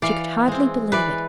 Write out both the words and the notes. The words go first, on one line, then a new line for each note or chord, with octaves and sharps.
She could hardly believe it.
E3 D5 F5
G#3 C4
E3 B4 D5